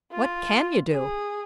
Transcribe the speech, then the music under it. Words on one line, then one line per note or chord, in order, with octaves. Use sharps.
"What can you do?"
F4
G#4